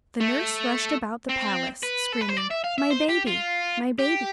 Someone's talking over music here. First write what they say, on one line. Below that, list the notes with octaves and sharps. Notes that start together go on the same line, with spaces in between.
The nurse rushed about the palace, screaming, "My baby! my baby!"
A3
C4
B4
A4
B4
C5
D5
E5
F5
E5
C5
G4
F4
G4